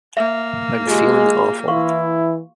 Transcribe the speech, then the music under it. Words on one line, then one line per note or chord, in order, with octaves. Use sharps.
I'm feeling awful.
A#3 E5
G#3 F4 G4 G#4
E3 E4 F5 C6 C#6